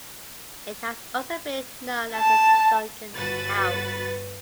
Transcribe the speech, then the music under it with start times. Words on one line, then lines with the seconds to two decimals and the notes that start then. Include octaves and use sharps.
It has also been known as the Dugan House.
2.12 A5
3.14 G1 F#4 B4 A6